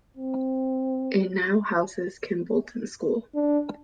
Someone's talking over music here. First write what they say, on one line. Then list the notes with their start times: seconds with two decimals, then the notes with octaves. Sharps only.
It now houses Kimbolton School.
0.17 C4
3.35 D4